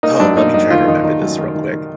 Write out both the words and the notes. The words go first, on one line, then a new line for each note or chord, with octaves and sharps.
oh, let me try to remember this real quick.
A#3 D#4
F#2 D4
A#3 D#4
F#2 D#4
D#3 F4
D#3 D#4
D#3
F#2
D#3
D#3
D#3